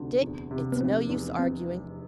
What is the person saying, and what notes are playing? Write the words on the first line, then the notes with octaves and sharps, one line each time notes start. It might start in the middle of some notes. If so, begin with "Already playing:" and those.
Dick, it's no use arguing.
Already playing: D2 C3
E2
C3
B3
F1 C4
E2
C4